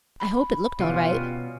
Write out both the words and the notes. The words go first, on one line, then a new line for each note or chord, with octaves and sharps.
"I hope it looked all right?"
B5
B2 G3 C#4 F4